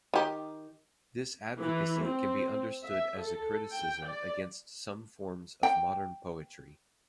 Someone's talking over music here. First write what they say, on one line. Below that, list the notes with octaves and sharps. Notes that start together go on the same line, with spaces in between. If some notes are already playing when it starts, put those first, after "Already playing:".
This advocacy can be understood as a criticism against some forms of modern poetry.
D#3 G4
E3
C4
E5
A4
G5
D5
G5